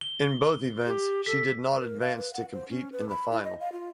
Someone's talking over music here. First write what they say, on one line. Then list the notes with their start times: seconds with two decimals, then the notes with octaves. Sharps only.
In both events she did not advance to compete in the final.
0.01 G7
0.87 G4
1.26 A4 B6
1.75 A#4
2.01 F5
2.17 B4
2.33 F#5
2.53 C5
2.69 C#4
2.92 B4
3.09 B5
3.31 E4
3.44 D#5
3.60 F5
3.72 F4